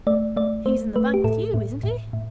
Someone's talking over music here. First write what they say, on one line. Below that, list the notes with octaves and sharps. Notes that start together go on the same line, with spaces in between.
He's in the bank with you, isn't he?'
A3 D5
A3 D5
A3 C5
A3 B4
G4
A2 A4
A2
A2
A2